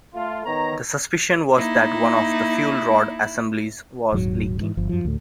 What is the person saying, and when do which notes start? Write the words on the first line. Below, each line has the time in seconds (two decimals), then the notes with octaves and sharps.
The suspicion was that one of the fuel rod assemblies was leaking.
0.14 A3 F4
0.45 D#3 B3 C#5 A#5
1.56 A#3 D#4 E4
4.12 D#1 G#2 F#3
4.59 G#2 D#3 E3
4.77 G1 F3
4.89 F#2 F3
5.05 D2 A2